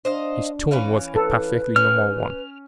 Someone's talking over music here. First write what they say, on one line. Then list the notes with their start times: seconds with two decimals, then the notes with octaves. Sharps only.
His tone was a perfectly normal one.
0.05 D4 C5 D#5 F5
0.71 E3 C#4 F5
1.16 A4 B4
1.76 C#4 F6